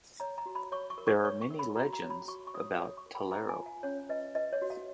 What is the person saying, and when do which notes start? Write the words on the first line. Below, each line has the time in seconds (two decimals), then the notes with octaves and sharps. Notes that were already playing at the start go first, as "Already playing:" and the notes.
There are many legends about Tellaro.
0.20 C#5 A#5
0.38 A#5
0.46 F#4
0.55 B5
0.72 C#5 C#6
0.90 C#6
0.98 A#4
1.07 C#6
1.24 C#5 C#6
1.41 C#6
1.50 A#4
1.59 B5
1.75 F#4 A#5
1.93 A#5
2.02 C#5
2.10 B5
2.28 F#4 C#6
2.47 C#6
2.54 C#5 D#6
2.79 C#5 C#6
2.97 C#6
3.06 A#4
3.15 B5
3.31 B4 A#5
3.49 G#5
3.58 F4
3.66 F5
3.83 C#4 C#5
4.09 B4 D#5
4.35 B4 D#5
4.53 C#5
4.62 F#4
4.70 F5